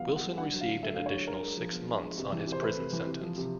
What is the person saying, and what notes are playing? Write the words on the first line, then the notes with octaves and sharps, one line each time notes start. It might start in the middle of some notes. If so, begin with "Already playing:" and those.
Wilson received an additional six months on his prison sentence.
Already playing: E3 F#3 G3 B3 F5 F#5
E4
F#5
G3
D4 F#5
F#3
F5
D3
A3 E5
F5
D4
C#5
F#3
D4 A#4
G#3
F3
B3
D4
G#3
C3
E3
C3
C5
A3 B4
C3
E3
C3
F3
C3